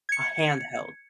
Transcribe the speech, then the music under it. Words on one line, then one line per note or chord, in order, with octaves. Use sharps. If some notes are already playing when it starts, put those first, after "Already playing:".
a handheld,
G#6 C#7